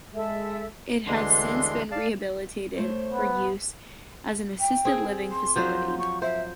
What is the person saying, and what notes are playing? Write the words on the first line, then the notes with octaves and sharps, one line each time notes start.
It has since been rehabilitated for use as an assisted living facility.
G#3 A4 E5
D2 D3 E3 G#3 D4 C6
D5 F5 A5
A3 C5 C#5
B3
G5
C4 G#4
C6
F3 F#3 C5
C#6
C5 E5